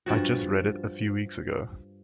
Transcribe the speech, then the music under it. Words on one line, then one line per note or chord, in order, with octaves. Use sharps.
I just read it a few weeks ago.
G2 F3 F#4